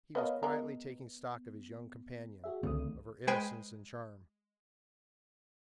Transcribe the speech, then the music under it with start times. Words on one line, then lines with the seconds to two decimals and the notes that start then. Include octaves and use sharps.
He was quietly taking stock of his young companion,--of her innocence and charm.
0.15 B3 A#4 B4 C#5 D#5 F5
0.43 G#3 B3 A#4
2.44 F#4 G#4 E5
2.63 C#2 D3 D#3 A3 C4 D#6
3.27 G#3 B4 C5 G5 G#5